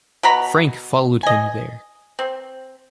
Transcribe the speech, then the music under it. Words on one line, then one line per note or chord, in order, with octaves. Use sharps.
Frank followed him there.
B2 F#5 A#5 B5
D#5 G#5
C4